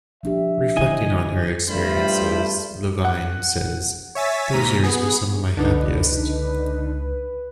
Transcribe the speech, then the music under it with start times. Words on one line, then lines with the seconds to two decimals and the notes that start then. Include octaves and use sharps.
Reflecting on her experiences, Levine says those years were some of my happiest.
0.23 F3 D4 G4 E5
0.77 D3 E3 E4 D#5 G#5
1.70 G2 G3 A3 F4 C5 B5
3.05 F#5
4.15 C#5 E5 G#5 A6 B6
4.51 D#2 G#2 A#5 B6 D#7
4.83 B3 G#4
5.57 C#2 D3 D4 D#4 B4